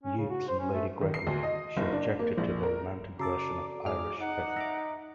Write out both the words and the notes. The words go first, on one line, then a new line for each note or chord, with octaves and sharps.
Yeats and Lady Gregory, she objected to their romantic version of Irish peasantry.
C#4
C#3
F#4
C5
C#4
A3
D#3
C7
D2
D#5
F#1
D4
A#3
A#1
A#4
C#3 F#4 A4 D5 A#5 D6 C7
G#2 D4 G#4 D6 F6
D#4 F#5 D6
E5 A#5 D6 A#6